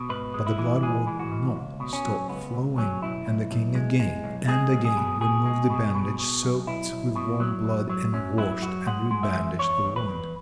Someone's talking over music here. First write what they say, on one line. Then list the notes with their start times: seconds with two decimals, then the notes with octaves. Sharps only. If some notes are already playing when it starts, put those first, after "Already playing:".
But the blood would not stop flowing, and the King again and again removed the bandage soaked with warm blood, and washed and rebandaged the wound.
Already playing: B2
0.09 G#2 B4
0.34 G#3
0.47 E4
0.58 E3
0.83 G#3 G#4
1.07 E3
1.19 F#4
1.32 G#2
1.56 C#2
1.80 B2
1.93 C#4
2.05 F#3
2.28 C#2 B3
2.53 C#2
2.78 F#3 C#4
3.02 B1 E4
3.26 B1
3.51 B1
3.75 G#3
4.00 G#3
4.24 B1
4.48 G#3 G#4
4.72 B1
4.85 G#4
4.97 B2
5.21 B2 G#4
5.46 G#3
5.70 B2
5.95 B2
6.19 B2
6.43 B1
6.67 B1 E4
6.92 B1
7.16 B2
7.40 F#3
7.65 F#2
7.89 F#3
8.13 F#2 C#4
8.38 F#3 E4
8.62 F#2 F#4
8.87 G#3 F#5
9.11 G#3
9.23 E5
9.35 E3
9.59 E2 C#5
9.84 E2
9.96 B4
10.08 E2